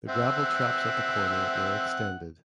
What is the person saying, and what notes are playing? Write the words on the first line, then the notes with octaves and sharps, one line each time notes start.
The gravel traps at the corner were extended.
C4 E5 F#5